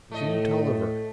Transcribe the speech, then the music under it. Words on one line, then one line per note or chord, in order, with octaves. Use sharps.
"June Tolliver."
A2 A3 D#5